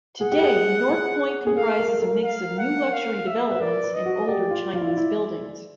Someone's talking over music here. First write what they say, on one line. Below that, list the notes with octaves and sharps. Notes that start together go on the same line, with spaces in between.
Today North Point comprises a mix of new luxury developments and older Chinese buildings.
G#4 F#5
G4
G#4
G#4
G#4
A4 F5
A#4
A4
A#4
F5
F#5
F5
E5
B4
A#4 D5
B4
D#5
F#4
G4 D5
F4
F4
E4
F4
E4